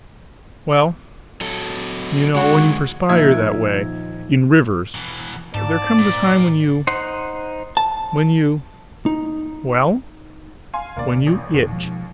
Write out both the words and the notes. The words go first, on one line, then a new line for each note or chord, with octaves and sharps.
Well, you know, when you perspire that way, in rivers, there comes a time when you--when you--well, when you itch.
F#3 A4
D3 G#3 F#4
D#2 A#2 F3 D#4 E5 G#6
B2 E3
G#2 D5 A5
A#2
D#4 C5 F#5 C6
A5
D#4
F5 G#5 C6
D2 B2 A#3 D5
A1
F1 D#2 B2
B2 F3 G#3